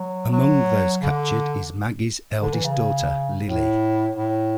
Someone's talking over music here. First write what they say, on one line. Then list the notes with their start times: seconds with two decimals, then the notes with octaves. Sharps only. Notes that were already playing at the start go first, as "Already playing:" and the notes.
Among those captured is Maggie's eldest daughter, Lilly.
Already playing: F#3
0.32 F#3
1.02 D3
2.41 D3
2.54 E3
2.64 C#3
3.46 A2
4.16 A2